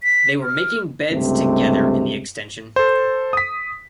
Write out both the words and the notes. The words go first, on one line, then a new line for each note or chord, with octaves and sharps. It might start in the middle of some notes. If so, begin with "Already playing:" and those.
They were making beds together in the extension.
B6
F6
C#2 G2 C3 G#3 A3 C4
A4 C5
D#6 B6